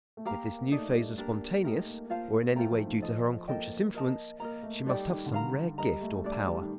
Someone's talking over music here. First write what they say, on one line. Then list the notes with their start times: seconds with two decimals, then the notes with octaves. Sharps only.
If this new phase was spontaneous, or in any way due to her unconscious influence, she must have some rare gift or power.
0.17 A3
0.25 A#3 G4 A#4 F5 A#5
0.72 A#3 D#4 A4 D5
0.80 A3
0.88 G3
0.96 A3
1.18 A#3 D4 G4 A#4
1.64 A3 D#4 G4 A#4
1.87 A#3
2.10 A#3 F4 C5 F5 A5
2.45 A#3
2.56 A3 F4 C5 G5 A#5
2.71 F3
2.86 D#3
3.02 F3 A4 D#5 A5
3.48 A#3 A4 D#5 G5
3.94 A#4 D#5 A5
4.40 A#3 A#4 D#5 A#5
4.63 A3
4.86 G3 D#4 A4 D5 G5
5.09 D#3
5.26 D3
5.32 D#3 A#4 F5 A#5
5.78 G3 A#4 D#5 A#5
5.93 G3
6.02 A3
6.24 A3 D4 G4 D5
6.47 G3
6.62 D#3